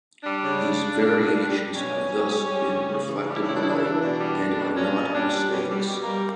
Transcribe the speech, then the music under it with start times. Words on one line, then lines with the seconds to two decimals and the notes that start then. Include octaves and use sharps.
These variations have thus been reflected below, and are "not" mistakes.
0.24 G3 D4
0.43 C#3
0.62 C#3
0.81 C#3
0.99 G3
1.18 B2
1.37 G3
1.56 G3
1.75 B2 C#4
1.94 B2
2.13 G3
2.31 G3
2.50 G3
2.69 C#3
2.88 C#3
3.06 E3
3.25 G3 D4
3.33 E4
3.40 D4
3.44 C#3 E4
3.55 D4
3.61 E3 E4
3.69 D4
3.77 E4
3.82 E3 D4
4.00 B2 D4
4.19 G3
4.39 G3
4.57 B2
4.76 A#2 C#4
4.95 A#2
5.13 G3 D4
5.32 G3
5.50 B2 C#4
5.69 G3
5.88 B2
6.01 A#3
6.07 G3